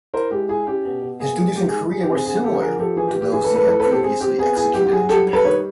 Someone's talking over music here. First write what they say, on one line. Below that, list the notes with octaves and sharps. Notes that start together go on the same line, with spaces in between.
His duties in Korea were similar to those he had previously executed in Japan.
E4 A#4 C5
G#3 G4
E4 G#4
C#4 G4
B2
B2
A#3 G#4
G3 G#4
G#3 G4
G#4
D#4
D#3 G#4
G4
C4
G#4
D3 G#4
D3 G4 A4
F3 G#4 A#4
F3 G4 A4
E3 G#4
G4
E3
G4
E3 G#4
A4 B4
A3
A4 B4
E4 A4 B4
A4 B4
C4
G4 A4
C4 G#4
C4 G4
B3 G#4
E4 G#4
F#3 G4
G4
F#3 G#4
G3 G4 A4
G3
A4 B4
D#3 B4 C#5